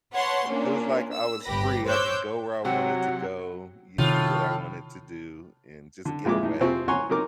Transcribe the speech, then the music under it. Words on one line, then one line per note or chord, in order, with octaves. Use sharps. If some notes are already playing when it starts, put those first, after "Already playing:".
It was like I was free. I could go where I wanted to go, and do what I wanted to do, and just get away
B4 C#5 F#5 A5 C6 C#6
A#2 A#3 C#4 D4
E6
G1 G4 B4 B5 A#6
C5 C#5 D6 E6 F#6 G6
C3 F#3 C4 F#4 F#5
A2 C3 D#3 F4
D3
F2 A#2 G#3 E4 D6
A2 D#4
F2 C3 F3 C4 G#4 C#6
C#5 F#5 G#5 A#5 C6 C#6
F#3 D#4 A#4 D6